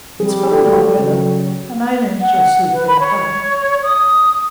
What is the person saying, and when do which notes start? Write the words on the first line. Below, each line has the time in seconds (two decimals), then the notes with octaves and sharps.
It's fine hot weather, and Aileen shall see fair play.'
0.19 C2 F3 G3 G#4
0.51 D2 A4 D5 G5
0.98 C#3 F#3
2.21 F#5
2.73 B4
2.87 B5
3.00 C#5
3.83 D#6